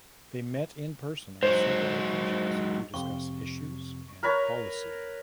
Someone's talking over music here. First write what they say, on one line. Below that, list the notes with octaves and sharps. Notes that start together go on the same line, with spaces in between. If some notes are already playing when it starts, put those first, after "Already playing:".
They met in person on several occasions to discuss issues and policy.
G#2 F#3 C5
F2 C3 C#6
A#4 B4 C#5 A#5